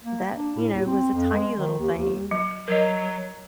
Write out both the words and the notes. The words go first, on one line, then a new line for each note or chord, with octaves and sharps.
that, you know, was a tiny little thing,
A#3
D4
A2
D#2
C4
F2
G#3
D#3
D#2
D#2
F#3
F#3 A#4 D#5